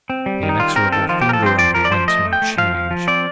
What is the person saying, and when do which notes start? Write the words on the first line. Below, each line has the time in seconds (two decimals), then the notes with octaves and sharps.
The inexorable finger underwent no change.
0.10 C4
0.26 G3
0.43 D#3
0.49 D#4
0.59 G3 F4
0.76 C4 A#4
0.92 D#3 A4
1.09 F3 F4
1.21 G4
1.26 F3 A#4
1.33 A4
1.43 C4 C5
1.58 F3 D5
1.74 F3 A#4
1.85 D5
1.91 F3 C5
2.08 A3 D#5
2.25 A3
2.33 G5
2.42 A3
2.58 F3 F5
2.75 F3
2.91 F3
3.07 C4 D5